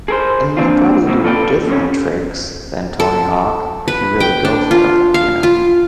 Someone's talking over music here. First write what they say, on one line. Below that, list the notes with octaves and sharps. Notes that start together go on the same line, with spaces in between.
and you'll probably do different tricks than Tony Hawk if you really go for it, you know.
G#4 A#4 C5
A#3 C4 D4 F4
E2 G#2 C#3 A#3 C4
F4 A4 B4 D5 D#5 G5
E2 C3 C#4
A4
B4
G5
D4
F4
F5
F4